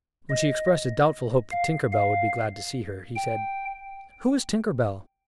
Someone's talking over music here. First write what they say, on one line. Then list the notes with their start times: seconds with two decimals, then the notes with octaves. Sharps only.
When she expressed a doubtful hope that Tinker Bell would be glad to see her he said, "Who is Tinker Bell?"
0.29 D#5
1.52 F5
1.93 F5
3.16 G5